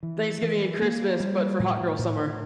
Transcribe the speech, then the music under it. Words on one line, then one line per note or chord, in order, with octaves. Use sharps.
Thanksgiving and Christmas, but for hot girl summer.
E3
E3
A#3
G3
A2
A2